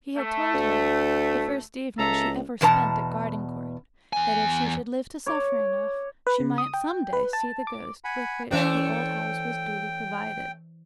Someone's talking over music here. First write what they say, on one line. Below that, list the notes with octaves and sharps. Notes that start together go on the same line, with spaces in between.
He had told her, the first evening she ever spent at Gardencourt, that if she should live to suffer enough she might some day see the ghost with which the old house was duly provided.
A3
D2
C#2 A4 E5 A#5
E2 B2 B4 A5 A#5
E2 G#5
C#5 D6
B4
C#3
D#6
G5
B4
A5
D6
F#5 G#5 B5
E3 A3 C#4 C5 D5 E5 G5